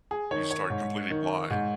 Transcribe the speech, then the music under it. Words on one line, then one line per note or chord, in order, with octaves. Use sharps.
you start completely blind
G#4
D#3 C#5
C#5
G#2
D#3
G#2